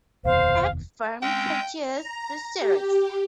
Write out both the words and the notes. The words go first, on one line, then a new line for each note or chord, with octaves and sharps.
Egg Firm produced the series.
F1 D#2 B2 C5 F5
G#3 C4 C#4 G5
A#5
G4